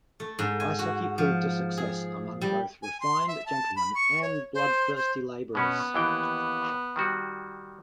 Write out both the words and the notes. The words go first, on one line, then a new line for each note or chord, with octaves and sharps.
Ice hockey proved a success among both refined gentlemen and bloodthirsty labourers.
A3
G#2
G#5
F#4
F3
G#4
G3
G#5
C6
E5
A5
B5
C#6
C#5
C5
C5
B2 B3 C#4
D#2 E3 G5
D#3 G3 F#4